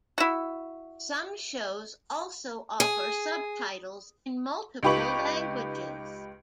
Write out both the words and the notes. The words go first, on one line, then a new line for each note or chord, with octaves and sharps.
Some shows also offer subtitles in multiple languages.
E4 F#4
G#4
C#2 D#4 G4 B4 C#6 F#7